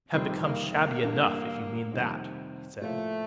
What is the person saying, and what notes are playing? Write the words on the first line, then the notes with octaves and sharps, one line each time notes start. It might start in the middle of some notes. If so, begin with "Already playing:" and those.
'I have become shabby enough, if you mean that,' he said.
F2 C3 D#3 G3 C4
A#3
A#3
A1 G2 D3 A3 D4
F2 C3 D#3 G3 C4
A2 F3 A3 A#3 F4